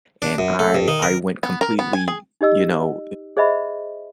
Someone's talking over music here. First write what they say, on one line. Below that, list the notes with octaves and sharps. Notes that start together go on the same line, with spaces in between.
and I I went completely, you know,
D4
F#2
A3
G2
D#3
A#4
B3
A#4
B3
G#5
G#4
D#4 G4 D#5 E6
G#4 C5 D#5 E5 B5